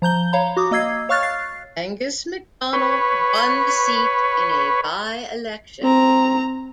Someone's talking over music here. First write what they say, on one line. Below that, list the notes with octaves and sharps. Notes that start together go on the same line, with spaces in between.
Angus Macdonell won the seat in a by-election.
F3 A#5 G6 G7
C#5 F5 A#5 B5
F#4 D6 D#6
A#3 D#5 E6 G#6 C7
C#5 F5 C#6 F6 F#6 A6
A6 C7
B4 C#5
C4 A#5